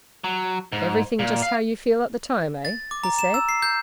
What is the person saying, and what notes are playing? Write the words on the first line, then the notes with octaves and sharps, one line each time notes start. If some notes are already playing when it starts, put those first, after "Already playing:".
'Everything just how you feel at the time, eh?' he said.
F#3
G#2
A#2
F5
A6
D6
A#5
E7
E6
C7
G6